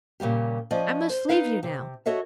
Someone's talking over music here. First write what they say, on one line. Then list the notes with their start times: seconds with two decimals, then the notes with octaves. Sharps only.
I must leave you now.
0.20 A#2 C#3 G3 G4
0.71 F3 C#4 D5 D#5
1.09 C5
1.29 D#4 B4 F5
1.63 C3
2.06 F#4 A4 C#5 D#5 E5